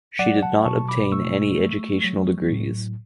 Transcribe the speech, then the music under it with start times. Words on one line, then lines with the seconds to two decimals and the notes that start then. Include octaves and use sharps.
She did not obtain any educational degrees.
0.19 F#3 D5 F#5
0.42 F#5 A5
0.66 B2 A5 C#6
0.89 B5 D6
1.12 A3 C#6 E6
1.59 A3
2.05 F#3
2.51 A2